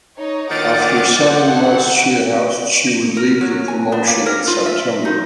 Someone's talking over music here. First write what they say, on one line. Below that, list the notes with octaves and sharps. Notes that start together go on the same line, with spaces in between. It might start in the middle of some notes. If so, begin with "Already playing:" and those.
After seven months she announced she would leave the promotion in September.
D#4 C#5
D2 A#2 D#3 F#5 D6 A6
F2 C4 F#5
A#4
F#3
G#5
B3
A#3
A#4
F4
E5
D#4